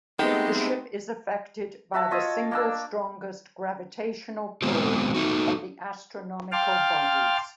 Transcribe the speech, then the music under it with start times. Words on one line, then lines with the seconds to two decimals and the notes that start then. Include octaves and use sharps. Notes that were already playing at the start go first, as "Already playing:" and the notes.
The ship is affected by the single strongest gravitational pull of the astronomical bodies.
0.19 G#3 A3 B3 C4 D#4 G4
1.94 F#4 E5 A5
2.11 F4 C#5 D#5 E6
2.51 A#3 D4 E6
4.62 G#3 B3 C4 F4 G4
5.14 A3 D#4 F#4
6.52 F5 G5 A5 C6 D6 F6